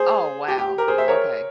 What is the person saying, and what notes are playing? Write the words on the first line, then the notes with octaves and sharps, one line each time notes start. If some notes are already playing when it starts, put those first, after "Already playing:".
Oh, wow, okay.
Already playing: G#4 C5
G4
G4
G4 A#4
G#4 C5
C5 E5
A#4 C#5